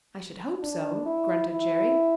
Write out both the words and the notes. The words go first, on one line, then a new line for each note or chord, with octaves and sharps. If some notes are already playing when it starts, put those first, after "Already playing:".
"I should hope so," grunted Jerry.
D4
E4
E4